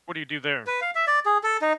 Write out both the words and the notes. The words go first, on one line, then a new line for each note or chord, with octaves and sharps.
What do you do there?
B4
F5
E5
D5
G#4
A4
D#4